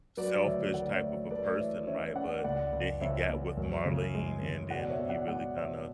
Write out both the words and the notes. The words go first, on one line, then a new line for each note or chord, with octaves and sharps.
selfish type of a person, right? But then he got with Marlene, and then he really kinda,
F#3 B4 D5
D2 C#5 E5
D2 D5 F#5
F#3 C#5 E5
A3 B4 D5
E3 C#5 E5
C#4 C#5 E5
C#4 D5 F#5
C#2 D5 F#5
C#2
C#2 C#5 E5
C#2
F#2
C#3
G#3
C#3
B2 D5 F#5
C#5 E5
B3
E5
D5 F#5
G#3 D5 F#5
B2 C#5 E5